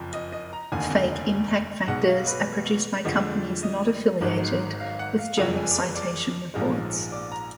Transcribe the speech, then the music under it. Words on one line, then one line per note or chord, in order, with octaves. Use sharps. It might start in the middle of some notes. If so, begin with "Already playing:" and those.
Fake impact factors are produced by companies not affiliated with Journal Citation Reports.
Already playing: F#1 F2 F3
D#5
D#5
A#5
F1 D#2 D3 G#5
B1 B2 G#3 F#5
F5
B4
F2 D3 F3 G#3
D#5
G#1 G#2 F#3
F5
F#5
F5
F#1 F2 F3 G#3 F#5
G#5
D5
B4
D5
A#1 G#2 F3 G#3
D5
A#5